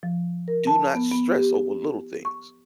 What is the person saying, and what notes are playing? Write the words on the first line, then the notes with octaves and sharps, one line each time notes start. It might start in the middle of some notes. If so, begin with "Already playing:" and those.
Do not stress over little things,
F3
A#4
A5
B3
B3
G4
C#6